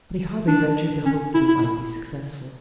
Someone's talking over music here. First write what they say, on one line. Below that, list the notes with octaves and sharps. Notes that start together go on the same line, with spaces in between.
But he hardly ventured to hope that he might be successful.
D4
C#4
E4
E4